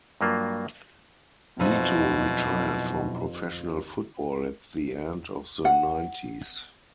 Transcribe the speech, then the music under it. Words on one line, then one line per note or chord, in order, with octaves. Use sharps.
Neto retired from professional football at the end of the nineties.
G2 F#3 A#3 F4
B1 F2 B2 D#4 E4
F#5